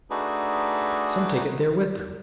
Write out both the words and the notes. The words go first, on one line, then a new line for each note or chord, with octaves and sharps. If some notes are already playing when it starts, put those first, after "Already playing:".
Some take it there with them.
A3 D4 D#4 F#4 G#4 B4